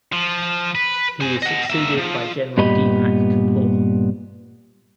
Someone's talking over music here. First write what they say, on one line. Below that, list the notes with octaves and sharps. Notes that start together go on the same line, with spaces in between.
He was succeeded by General Deepak Kapoor.
F3
B4
C5 G#5
D#5 F#5
A#3 E5
F3
G2 A#2 B3 G4 D#5 B5